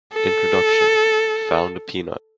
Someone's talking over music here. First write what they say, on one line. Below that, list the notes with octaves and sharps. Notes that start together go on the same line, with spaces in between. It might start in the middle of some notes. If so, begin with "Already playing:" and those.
Introduction: Found a peanut!
A4